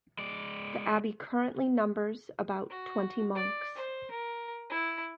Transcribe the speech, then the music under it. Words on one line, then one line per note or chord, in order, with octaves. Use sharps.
The abbey currently numbers about twenty monks.
G#3 D5
F#4
D5
C5
A#4
E4